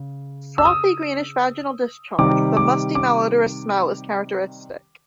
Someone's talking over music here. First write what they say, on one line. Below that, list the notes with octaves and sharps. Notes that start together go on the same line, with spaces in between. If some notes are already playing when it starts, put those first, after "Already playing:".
'Frothy', greenish vaginal discharge with a 'musty' malodorous smell is characteristic.
Already playing: C#3
E6
D#6
C3 D#3 G3 D6
D6
D6